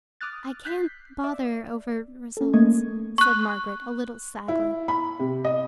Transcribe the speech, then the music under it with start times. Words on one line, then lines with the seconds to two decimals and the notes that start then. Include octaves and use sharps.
"I can't bother over results," said Margaret, a little sadly.
0.21 D6 D#6 F6 F#6 A6
0.65 F#6 G6 B6 C7
1.24 D5 E5
2.37 C#4 A4
2.53 A3 A#3 D#5 C#6 G#6
3.18 C#6 F#6
4.48 E4
4.88 B5
5.19 C3
5.44 D#5